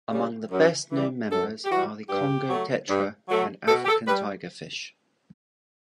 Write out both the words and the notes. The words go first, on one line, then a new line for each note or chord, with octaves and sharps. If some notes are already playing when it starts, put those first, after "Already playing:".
Among the best known members are the Congo tetra, and African tigerfish.
C#3 G3
F#2
E3 G3
F#2 A4
G4
E3 G3 F#4
G2 G4
F#3 A3
G2
F#3 A3
B2 A4
G4
A4
G3 B4